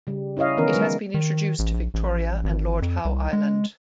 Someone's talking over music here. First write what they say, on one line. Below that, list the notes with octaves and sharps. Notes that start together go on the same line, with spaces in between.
It has been introduced to Victoria and Lord Howe Island.
C#3 G3
C#4 E4 C#5 D#5 F5
D#3 E3 B3 C#4 A#4
F#3 G#3
D#3
A1
A#1
A1
G#1
F2
C2
G#3